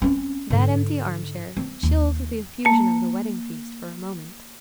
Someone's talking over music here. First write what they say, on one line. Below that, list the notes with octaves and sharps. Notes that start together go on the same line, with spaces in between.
That empty arm-chair chilled the effusion of the wedding feast for a moment.
C4 C#4
G#2 D3
C4
D#2
A#3 A5